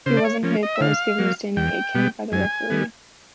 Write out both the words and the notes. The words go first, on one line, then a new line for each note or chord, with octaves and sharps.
He wasn't hit, but was given a standing eight-count by the referee.
C#3 C5
D5
C#5
F3 A#3 C#4
D#5
E5
D3 F5
F#3 A#3
E2 G5
B2 G3 B3
F#2 G#5
D#3 G3 B3